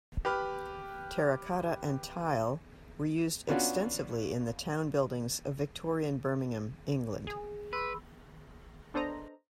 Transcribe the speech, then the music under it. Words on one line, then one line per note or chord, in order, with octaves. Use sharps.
Terracotta and tile were used extensively in the town buildings of Victorian Birmingham, England.
G4 B4 B5 F6
B3 C#4 D4 F4 F#4
G#4
B4 B5 C6 E6
B3 D4 A4 C5 D#5 A#5